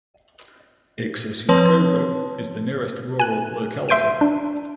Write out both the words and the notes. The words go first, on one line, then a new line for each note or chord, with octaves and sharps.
Iksisyakovo is the nearest rural locality.
F3 C4 B4 C#5 A5 C6
G#5 F#6
E5 C6 G6 D7 D#7
D4